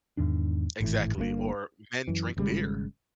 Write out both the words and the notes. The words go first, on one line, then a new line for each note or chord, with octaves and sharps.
Exactly, or men drink beer.
E2 G#2 D#3 D4
G#1 A2 E3
G1 G2 B2 A#3
F#2 E3
G#1 C#3 G3 G#3